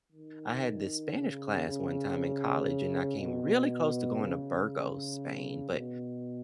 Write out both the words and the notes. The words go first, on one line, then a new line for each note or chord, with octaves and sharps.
I had this Spanish class one time in college, and I came really close to going to Burgos, Spain. But
D#3
C#3
C#3
B2
C#3
B2